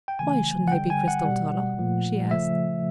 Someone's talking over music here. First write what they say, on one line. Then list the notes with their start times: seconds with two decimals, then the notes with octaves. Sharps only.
"Why shouldn't I be Cristel Toller?" she asked.
0.08 G5
0.19 C#3 E3 A3 G#5
0.68 F#5
0.72 D3 G3 G5
0.90 G#5
1.08 F#5
1.25 B2 G3
1.78 A#2 F3 A3
2.31 C#3 F3 A3 E5